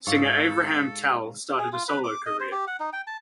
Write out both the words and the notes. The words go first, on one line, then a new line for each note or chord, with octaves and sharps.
Singer Avraham Tal started a solo career.
G#2 A4 F5 C#6
G#4
F4
B4
D6
D#5
C5
G4
F#5
D#4
G5
A5